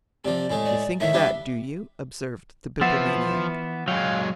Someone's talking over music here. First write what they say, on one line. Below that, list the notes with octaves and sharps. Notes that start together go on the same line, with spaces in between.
"You think that, do you?" observed the Bibliomaniac.
C3 F3 D5
A2 G#3 A3
D5
A2 D#3 E5
G3 B3 D4
E3 F3 B3 E5 F#5 E6 A6
F#3 G#3 F5 G5